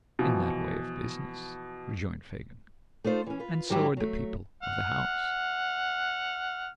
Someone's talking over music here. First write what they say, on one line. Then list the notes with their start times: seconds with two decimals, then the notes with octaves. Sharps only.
'In that way of business,' rejoined Fagin; 'and so are the people of the house.
0.19 B2 E3 F3
3.04 A3 D#4 F4 C5
3.26 E3 C#4
3.39 F4 B4
3.70 G#2 F#3 G3 E4 G4
3.97 F#3 A3
4.63 F#5 F6